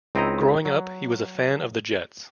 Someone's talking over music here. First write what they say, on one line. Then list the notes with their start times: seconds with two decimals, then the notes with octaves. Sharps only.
Growing up, he was a fan of the Jets.
0.15 C#2 C4 D#4 E4 D#5 A#5
0.65 F#3